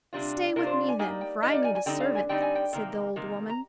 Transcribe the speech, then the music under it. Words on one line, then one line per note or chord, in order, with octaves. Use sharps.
'Stay with me, then, for I need a servant,' said the old woman.
C3 G3 D4 F4
C3 G3 D4 F4 A#4
C5
G#5
G3 A#3 D#4 G#5
G5
G3 A#3 D#4 D#5
D5
G#5
G#5
D3 G3 C4 D#4 G5
F5
G#5
D3 G3 C4 D#4 G5
G#5
G5
C3 D#3 A#3
C3 D#3 A#3
A#5